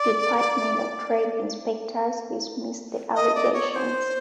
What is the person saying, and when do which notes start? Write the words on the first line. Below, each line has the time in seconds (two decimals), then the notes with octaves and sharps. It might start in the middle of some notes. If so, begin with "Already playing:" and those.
Department of Trade inspectors dismissed the allegations.
Already playing: D5
3.15 D#5
3.35 D5
3.53 C#5
3.72 C#5
3.75 C5